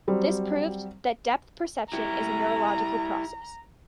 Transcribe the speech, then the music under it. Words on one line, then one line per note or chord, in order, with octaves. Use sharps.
This proved that depth perception is a neurological process.
F#3 G3 C4
E4 G4 A#5